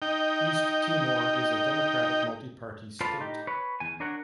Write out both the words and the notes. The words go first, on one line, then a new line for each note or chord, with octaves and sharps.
East Timor is a democratic, multi-party state.
D#4 G5
F4 A4 B4 C5 D5 F5
A2 D#4 G4
B4 C#5
E2 G#5
D4 A#4 C#5 F#5